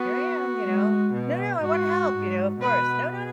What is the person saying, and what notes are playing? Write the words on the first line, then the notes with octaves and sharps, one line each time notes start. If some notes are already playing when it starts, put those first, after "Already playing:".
here I am, you know? "No, no, I wanna help," you know, of course. "No, no, no,
Already playing: B3 F#4
G#3
B2
G#2 F#4
G#2
B2 B4